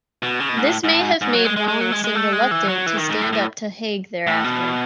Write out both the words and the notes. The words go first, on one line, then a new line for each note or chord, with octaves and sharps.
This may have made Rawlinson reluctant to stand up to Haig thereafter.
B2
C#3
B2
G#2
A2
G#2
A2
G#2
G#2
F#3
G#3
G#3
G#3
F#3
G#3
G#3
A3
G#3
E3
F#3
E3
D#3
G#2
A2
A2
A2
B2